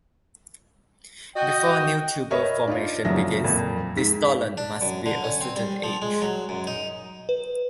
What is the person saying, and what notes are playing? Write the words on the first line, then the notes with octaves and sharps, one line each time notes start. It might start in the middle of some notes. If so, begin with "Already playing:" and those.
Before new tuber formation begins, the stolon must be a certain age.
F#4 D#5 G5
A#4 C#5 D#5 E5 B5
D4 D#4 F4
F#1 F3 F#3 E5 A#6
F2 A#2
G#2 B6
D4
F#2
D3
C#4
C4
G3
F3
G#3
F#3
F#2
D#4
B4